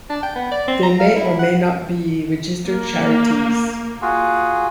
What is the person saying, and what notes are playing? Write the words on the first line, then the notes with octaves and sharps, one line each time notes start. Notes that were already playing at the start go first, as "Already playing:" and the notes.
They may or may not be registered charities.
D4
G5
B3
D5
C4
A#5
F5
E4
F#5
A#3
F4 F#4 G#4